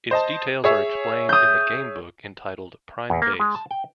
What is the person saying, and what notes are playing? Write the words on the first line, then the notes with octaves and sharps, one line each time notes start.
Its details are explained in the game book entitled Prime Base.
C5 D#5 A5
G#4 C#5 E5
D#6 G6
E2
A#3
G#3
A5
G5